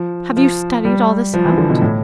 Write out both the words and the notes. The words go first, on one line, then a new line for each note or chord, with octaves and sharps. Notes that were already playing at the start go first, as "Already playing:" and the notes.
"Have you studied all this out?"
Already playing: F3
F3
G3
F3
E3
D3
B2
A2